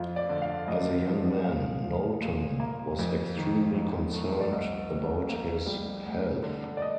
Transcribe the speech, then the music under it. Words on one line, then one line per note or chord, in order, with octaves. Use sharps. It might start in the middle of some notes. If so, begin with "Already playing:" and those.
As a young man, Knowlton was extremely concerned about his health.
Already playing: F2 F4
D5
D3
F5
F2 D#5
F3
A#2 F5
F3
A#2
A#3
F2
D#3
F2
A3
D5
C2 D#5
C3
A#3
G3
D2
D3
D5
D#5